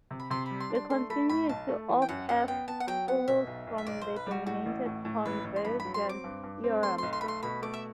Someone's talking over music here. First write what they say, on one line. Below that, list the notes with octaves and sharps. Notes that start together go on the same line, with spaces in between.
Continuity of "f" follows from the dominated convergence theorem.
C3
B5
C3 C6
G3 B5
C6
D4
C6
A3 C6
A3 B5
A2 B5
B1 A5
A3
E3
G5
F#2 F#5
F#2 F#5
B3 G5
B3 A5
F#5
F#3 G5
B3 F#5
B2 E5
B1
B1
E5
B1 D5
B1 C5
B4
G3 F#4
A2 F#4
A1
A2
A2
A1 B4
A1
C6
G2 B5
F#3 B5
C6
C4 D6
G2
G2
C4
A3 C6
B1 C6
C6
A3 B5
C6
B2 B5
A3 D6
E5